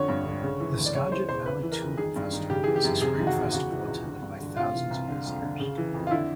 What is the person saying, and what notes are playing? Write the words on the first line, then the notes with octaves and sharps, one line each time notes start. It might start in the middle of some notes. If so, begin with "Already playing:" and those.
The Skagit Valley Tulip Festival is a spring festival attended by thousands of visitors.
Already playing: F2 D3 C#5
G2
D3
C#3
E3
D2
D5
C#3 C#5
E3 C5
E2 C5
C#3 B4
E3
A#4
F2
D#3 G#4
G2
D#3
C#3 G4
E3 G#4
G4
F#2
C3 G#4
D#3
F#4
E2
C#3 F#4
E3
C#2
D3
G2
D3
C3 F4
E3
C2
D3
F2
D3
C#3
E3
F2
F4
D3 E4